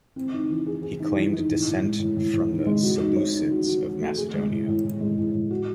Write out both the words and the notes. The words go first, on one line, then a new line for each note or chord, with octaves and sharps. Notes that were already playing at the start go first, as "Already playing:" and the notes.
He claimed descent from the Seleucids of Macedonia.
C4
D#4
E3
G#4
G#4
D#4
E3
D#4
A2
A2
G#3
A2
A2
A2
D#4
G#3
F#4
D#4
C#5
D#4
F#4
F#4
F#4
A3
G#4
G#3
A2
A2
A2
G#3
A2
A2
F#4